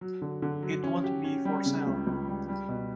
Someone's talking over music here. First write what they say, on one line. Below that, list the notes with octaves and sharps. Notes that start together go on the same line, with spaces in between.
It won't be for sale.
F#3
D3
D3
F#3
C#4
G4
C#4
G3
C#3
C#2
C#2
G3
G3
B2